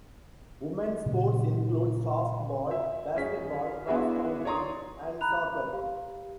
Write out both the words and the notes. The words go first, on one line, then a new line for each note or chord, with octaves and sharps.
Women's sports include softball, basketball, cross country, and soccer.
A#2 C#3 F#3
E5
F#2 C#4 G#4 G#5 B6
B3 D4 E4 F#4 G#4 E5
C#5 D5 A#5 C6 D#6
A#5 B5 F#6 F7
G4 F5